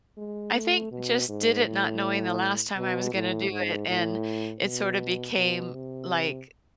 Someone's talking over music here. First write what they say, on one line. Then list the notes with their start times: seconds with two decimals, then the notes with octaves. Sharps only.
I think just did it not knowing the last time I was gonna do it and it sorta became like,
0.17 G#3
0.54 A3
0.92 B2
1.29 G#2
1.65 A2
2.77 B2
3.14 A2
3.51 G#2
3.88 A2
4.62 B2
5.37 B2
5.73 C3